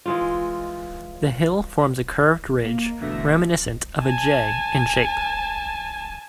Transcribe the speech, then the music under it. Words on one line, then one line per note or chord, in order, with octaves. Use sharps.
The hill forms a curved ridge, reminiscent of a 'J' in shape.
E3 G#3 F4
A#3
E2 B2 D3 A3 E5 A#6
G#5 A5